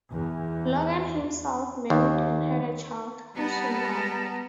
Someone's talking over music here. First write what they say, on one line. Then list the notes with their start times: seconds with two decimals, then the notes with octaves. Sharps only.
Logan himself married and had a child, who soon died.
0.11 E2
1.90 D#2
3.36 G3 B3 A5 A#5